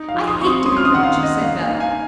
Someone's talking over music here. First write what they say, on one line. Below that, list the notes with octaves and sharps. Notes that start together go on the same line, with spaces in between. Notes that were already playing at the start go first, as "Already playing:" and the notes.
"I hate to be rich," said Bell.
Already playing: D#4
F5
F3
C6 D#6
C4 C#6
C6 D#6
C#4 C6 D#6
F6
C6 D#6
D#3 F#5
F5
A#3
D#5
A#3 F5
F5
D#4
F5 G#5